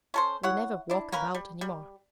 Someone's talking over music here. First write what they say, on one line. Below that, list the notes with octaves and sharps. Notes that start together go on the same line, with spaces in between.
We never walk about any more.
C#4 A4 C5
E4 C#5 F#5
D4 E4
A#3 C#4 A#4 B4
G3
G3